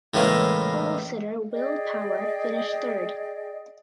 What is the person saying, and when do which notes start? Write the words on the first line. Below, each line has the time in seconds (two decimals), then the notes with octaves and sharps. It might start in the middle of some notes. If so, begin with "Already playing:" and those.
Polesitter Will Power finished third.
0.14 A2 C#3 E3 G#3 A#3
1.51 G#4 D5 D#5 G5